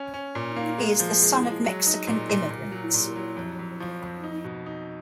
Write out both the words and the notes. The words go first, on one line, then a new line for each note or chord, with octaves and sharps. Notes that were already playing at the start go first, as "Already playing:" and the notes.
He is the son of Mexican immigrants.
Already playing: C#4
C#4
A#2
A#3
G#3
F3
G#3
G#3
F#3
D#4
A#2
A#2
A#2
F#3
A#2
F#3
F2
F2
F3
F2
D#4
B2
D#4